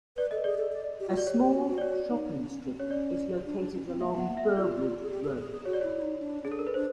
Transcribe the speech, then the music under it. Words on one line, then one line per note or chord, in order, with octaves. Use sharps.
A small shopping strip is located along Burwood Road.
B4 D5
A4 D#5
G#4 D5
A4
D5
G4
F4
F#4 D5
G4 C#5
G4
F#4
F#4
D5
F#4 C#5
D#4
D4
C#4
C4
C#4 C#5
D5
D4
D4
C#4
C4
A#3 E5
B3 F#5
A#3
E5
B3
F4 D5
G#4
G4
G#4
G#4
G#4
F#4 C#5
D5
E4 C#5
E4
D#4
D4
C#4 G#4
D4 A4
A#4
B4
D4 C5